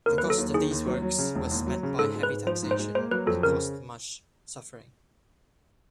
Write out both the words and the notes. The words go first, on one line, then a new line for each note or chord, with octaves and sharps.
The cost of these works was met by heavy taxation that caused much suffering.
D#2 A#4
F#3 B4
A4
D#2
D#3 G#4
D#2
F#3
F#3
C#3
E1
D#2
F#3
C#3
G#2 A4
G#3
B4
G#2
F3 C5
G#2
C5
G#3
A#3 C5
F#3 B4
F2 A4
C#3 A#4